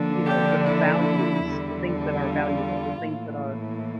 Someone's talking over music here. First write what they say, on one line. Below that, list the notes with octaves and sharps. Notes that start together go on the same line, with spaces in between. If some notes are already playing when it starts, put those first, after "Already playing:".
you know, the values, the things that are valuable, the things that are
Already playing: D3 F3 A#3 D4
G4
E4
E2 D3 G3
F4
A2 E3 A#3